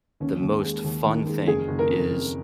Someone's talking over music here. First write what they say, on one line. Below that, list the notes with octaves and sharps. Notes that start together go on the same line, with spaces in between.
the most fun thing is
D#2 C#4
D#2
G#3
D#2
D#3
G#3
F#1 G#4
F#1
A#4
F2
F2